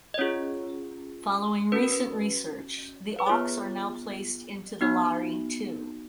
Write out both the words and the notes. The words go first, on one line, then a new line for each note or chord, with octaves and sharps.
Following recent research, the auks are now placed into the Lari too.
D#5
C#4 F4 G#4 C#5
C#4 F#4 B4
A#4
B4
B4
B3 F4 G#4 C#5
B3 D#4 F#4